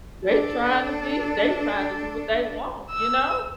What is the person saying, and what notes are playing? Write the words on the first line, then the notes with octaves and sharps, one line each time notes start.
They trying to be they trying to do what they want, you know,
D4 A4
E6